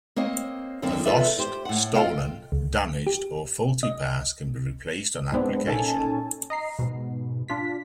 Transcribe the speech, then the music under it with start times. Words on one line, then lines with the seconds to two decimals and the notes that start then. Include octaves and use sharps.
A lost, stolen, damaged, or faulty pass can be replaced on application.
0.16 A#3 C4 C#5 D#5
0.82 F#2 D3 A#3 C4
1.05 E2 G2 F4 A4 B4 E5
1.38 G4 C5
1.65 A2 F#5
1.94 F4 A4 D#5 F5 G5
2.52 C#2
3.07 G4
3.83 D#5
5.32 G#2 G#3 B3 C4 D4
5.67 A#2 C#4 D#4 A4 G#5 A5
6.50 D#5 A#5 C7
6.79 G#2 B2
7.48 D4 F4 B6